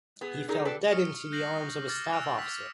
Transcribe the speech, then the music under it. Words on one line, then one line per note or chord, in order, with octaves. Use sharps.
He fell dead into the arms of a staff officer.
B3 G#4
D4 D#4 G#4 A#4
D4 G4 A4 B4
C#6 D#6 F6 C#7
F#6 G6 A#6 C7 F#7
D6 F6 A6
E6 F6 D7 F7
E6 B6